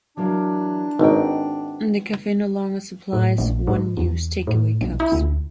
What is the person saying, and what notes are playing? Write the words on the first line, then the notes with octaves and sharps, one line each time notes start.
The cafe no longer supplies one-use takeaway cups.
E3 F#3 A#3 D4
G#1 D#4 B4 F#5 G5
A2
A#1
G#2
E2
A2
B1
E4
D2